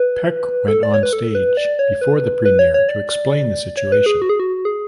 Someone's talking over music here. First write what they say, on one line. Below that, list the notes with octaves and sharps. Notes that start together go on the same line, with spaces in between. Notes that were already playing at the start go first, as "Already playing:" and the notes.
Peck went on stage before the premiere to explain the situation.
Already playing: B4
A4
D5
C#5
B4
A4
B4
D5
C#5
B4
B4
C#5
C#5
D5
C#5
B4
G#4
F#4
G#4
F#4
G#4